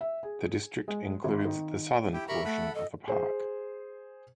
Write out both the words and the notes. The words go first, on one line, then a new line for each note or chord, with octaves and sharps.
The district includes the southern portion of a park.
E5
G#4
G#3
G#1
D#3
E4 G4 G5
G4 A#4 E5 B5 C#6
A3 A4 F#5 B5
A4 D#5
G#4 C5